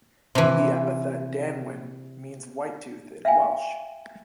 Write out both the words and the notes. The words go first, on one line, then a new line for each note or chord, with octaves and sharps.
The epithet "Danwyn" means "White-tooth" in Welsh.
C3 E3
E5 F5 G5 G#5